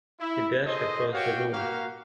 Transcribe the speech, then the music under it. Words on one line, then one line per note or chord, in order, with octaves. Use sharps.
He dashed across the room.
E4
G#4 A4 C5 D#5
F#4 G4 C#5 F5 G5
A#3 F#4 G4 F5 F#5